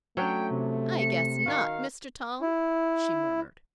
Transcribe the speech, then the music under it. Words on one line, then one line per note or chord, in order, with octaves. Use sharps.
"I guess not, Mr. Tom!" she murmured.
F#3 A3 C#4 D4 G5
C3
C#7
D#3 F#4 F5
E4